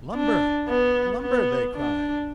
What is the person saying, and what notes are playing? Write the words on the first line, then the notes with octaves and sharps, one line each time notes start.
"Lumber! lumber!" they cried.
D4
B3
B3
D4